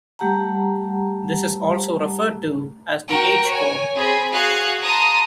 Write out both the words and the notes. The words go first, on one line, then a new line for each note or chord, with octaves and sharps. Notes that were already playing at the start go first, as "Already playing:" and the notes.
This is also referred to as the "H chord".
G3 A3 G4 F#5 A5 A#5
F#4 A#4 G5
C#5 G#5
C4 G#4 B5
F#4 G#4 F5 F#6 G#6
A5 A#5 C6 D#6